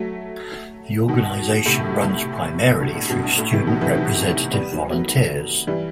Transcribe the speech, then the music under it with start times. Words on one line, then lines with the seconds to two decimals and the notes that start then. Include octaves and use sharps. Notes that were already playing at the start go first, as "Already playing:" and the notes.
The organization runs primarily through student representative volunteers.
Already playing: F#3 A3
1.08 B2 D#3
1.66 A2 C3
2.80 G2 B2
2.95 A2
3.09 G2 B2
3.23 G2
3.38 A2
3.52 C3 E3
3.67 B2 D#3
3.81 C3 E3
3.95 D#3 F#3
4.52 G3 B3
4.72 D#3 F#3
4.91 F#3 A3
5.67 E3 G3